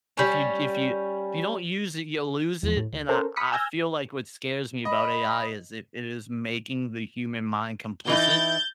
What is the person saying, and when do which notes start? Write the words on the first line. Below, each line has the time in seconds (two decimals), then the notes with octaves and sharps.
if you if you if you don't use it, you'll lose it. And I I feel like what scares me about AI is it it is making the human mind complicit,
0.17 G3 C#4
2.63 E2 F3
2.77 A2
2.92 D2
3.09 C#4 A4 A#4 C5
3.36 B5 D#6 B6 C#7
3.52 G#5 E6 F6 G6 G#6 A#6
4.85 D#5 B5
8.07 E3 D#4 E4 G6 A6